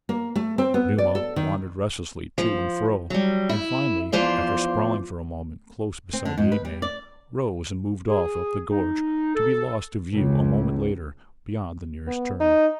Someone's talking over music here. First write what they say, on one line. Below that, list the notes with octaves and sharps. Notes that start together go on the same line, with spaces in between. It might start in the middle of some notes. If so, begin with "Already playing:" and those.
Numa wandered restlessly to and fro and finally, after sprawling for a moment close beside the ape-man, rose and moved off up the gorge to be lost to view a moment later beyond the nearest turn.
A#3
A3
C4
B3
D5
A4
D#3
F3
F#3 G3
E4
E2 F3 F4 C5 D5
C4
D3
G#2
B4
G3
D5
G#4
D#4
A4
C#2
B3
D#4